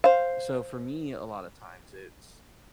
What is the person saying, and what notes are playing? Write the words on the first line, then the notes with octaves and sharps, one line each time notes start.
So for me, a lotta times, it's
C5 F5